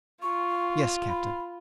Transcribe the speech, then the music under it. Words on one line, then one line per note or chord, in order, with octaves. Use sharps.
"Yes, captain."
F4 C#6
B5